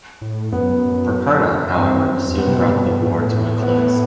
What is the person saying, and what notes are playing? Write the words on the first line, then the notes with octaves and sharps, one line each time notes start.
Perperna, however, soon brought the war to a close.
A2
F#2 B3
G2 C4
F#2
E2
F#2 B3
C3
B2
A2
G2
A2
G2
A2
B3